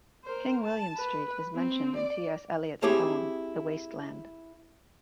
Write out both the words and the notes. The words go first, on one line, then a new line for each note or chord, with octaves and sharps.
King William Street is mentioned in T. S. Eliot's poem The Waste Land.
A#4 C5
A5
B4
C4
D5
C4 E4 G4 G#4 C#5 A5